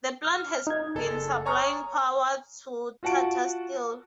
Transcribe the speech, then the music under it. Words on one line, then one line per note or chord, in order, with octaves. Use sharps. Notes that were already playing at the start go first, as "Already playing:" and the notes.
The plant has been supplying power to Tata Steel.
F6
D#4 G#6
F#1 A4
C#5 G#5 A#5 C#6 D#6 F6
F4 F#4 F#5 A5 D7